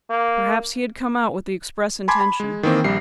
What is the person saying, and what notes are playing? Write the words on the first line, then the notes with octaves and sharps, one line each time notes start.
Perhaps he had come out with the express intention.
A#3
G#5 A5 B5 C6 D6 G#6
B5
G#3
D#3 E3 A#3 C4
A#1 G3 C7